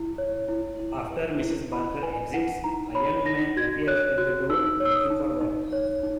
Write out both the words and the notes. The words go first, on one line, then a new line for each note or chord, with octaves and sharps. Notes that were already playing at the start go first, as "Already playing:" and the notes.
After Mrs. Barker exits, a Young Man appears at the door, looking for work.
Already playing: E4
C#5
E4
E4
B4
E4
E4 B5
B4 G#5
E4 F#5
D#4 A#5
C#5 B5
D#4 A#6
F#4 G#6
C#5 F#6
F#4 F#6
D#4 E6
C#5
E6
D#6
D#4
D#4
C#5
D#4